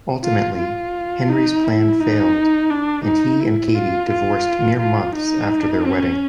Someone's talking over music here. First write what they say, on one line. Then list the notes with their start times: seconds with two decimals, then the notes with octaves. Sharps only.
Ultimately, Henry's plan failed, and he and Katie divorced mere months after their wedding.
0.24 F4
0.58 F4
1.29 D#4
1.64 E4
2.00 D#4
2.70 D4
3.05 D#4
3.40 E4
3.75 F4
4.10 F4
4.80 F4
5.16 D#4
5.86 C#4